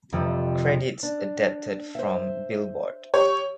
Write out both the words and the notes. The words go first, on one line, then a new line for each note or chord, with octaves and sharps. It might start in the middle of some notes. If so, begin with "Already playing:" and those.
Credits adapted from "Billboard".
F2 C3 F3 G3
D4
C5 E5
G4 C#5 C#6